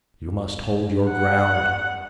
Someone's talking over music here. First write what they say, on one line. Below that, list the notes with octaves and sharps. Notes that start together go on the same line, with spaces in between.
"You must hold your ground."
F#5